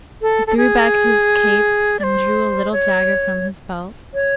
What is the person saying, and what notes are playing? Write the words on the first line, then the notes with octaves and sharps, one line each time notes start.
He threw back his cape and drew a little dagger from his belt.
A4
A4
G#4
D5
C5
C#5
C#5